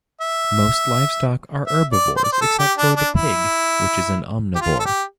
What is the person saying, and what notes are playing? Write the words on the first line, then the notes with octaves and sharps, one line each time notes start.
Most livestock are herbivores, except for the pig which is an omnivore.
E5
E5
D5
C5
D5
C5
A4
G4
D4
D4
E4
G4
F4
A4
G4